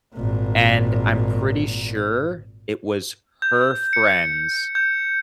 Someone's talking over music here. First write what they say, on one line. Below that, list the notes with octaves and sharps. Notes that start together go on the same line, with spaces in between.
And I'm pretty sure it was her friends
G#1 A#2
G6
C#7
G6